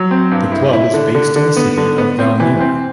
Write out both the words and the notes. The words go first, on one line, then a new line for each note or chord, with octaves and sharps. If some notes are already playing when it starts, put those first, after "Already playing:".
The club is based in the city of Valmiera.
Already playing: F#3
C4
G2
E4
E4
D3
D3
D3
B3
D3
B3
C4
E3
C4